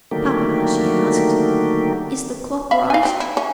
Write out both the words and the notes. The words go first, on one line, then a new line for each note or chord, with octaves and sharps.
"Papa," she asked, "is the clock right?"
D3 D#3 F#3 A3 A#3 G4
E5 F5 B5
F5 G#5
F#3 C4
E4
C#4